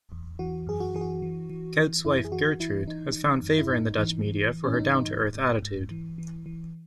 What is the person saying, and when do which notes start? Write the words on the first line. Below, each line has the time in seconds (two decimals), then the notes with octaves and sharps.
Kuyt's wife Gertrude has found favour in the Dutch media for her down-to-earth attitude.
0.12 E2
0.39 E3 F#4
0.67 F#2 G#4
0.80 F#4
0.94 E3 G#4
1.01 F#4
1.22 E3
1.50 E3
1.77 E3
2.05 F#2 E4
2.24 G#4
2.32 E3 F#4
2.60 E3 E4
2.87 E3 D#4
3.15 E3
3.42 F#2
3.58 E4
3.70 G#2 D#4
3.97 E3
4.25 E3
4.53 E3
4.64 C#4
4.74 D#4
4.80 G#2
4.94 D#4
5.08 G#2
5.35 G#2
5.62 G#2
5.91 E3
6.18 E3
6.46 E3